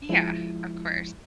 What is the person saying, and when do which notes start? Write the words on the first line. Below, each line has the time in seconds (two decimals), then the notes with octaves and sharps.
Yeah, of course.
0.09 F3 G#3 E4